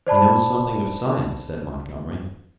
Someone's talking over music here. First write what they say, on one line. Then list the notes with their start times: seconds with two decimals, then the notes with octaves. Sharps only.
"He knows something of science," said Montgomery.
0.07 C5 D5 A5 B5